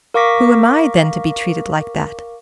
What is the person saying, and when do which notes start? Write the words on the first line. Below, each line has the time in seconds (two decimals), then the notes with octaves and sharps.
Who am I, then, to be treated like that?
0.14 A#4 F5 C#6 D6 A#6 B6